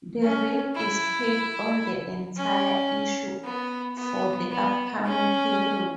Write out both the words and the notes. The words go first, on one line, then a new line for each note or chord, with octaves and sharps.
This rate is paid on the entire issue for the upcoming period.
C#4
E4
C#4
B3
B3
B3
C#4